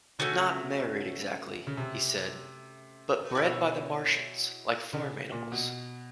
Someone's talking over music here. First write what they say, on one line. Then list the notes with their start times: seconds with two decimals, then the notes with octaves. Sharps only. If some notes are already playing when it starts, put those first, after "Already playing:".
'Not married exactly-' he said, 'but bred by the Martians-like farm animals.
0.19 C#3 A3 C#4 F#4
1.67 C#3
1.77 C3
3.35 B2 E4 G#4 C#5
4.93 C#3
5.32 A#2
5.52 B2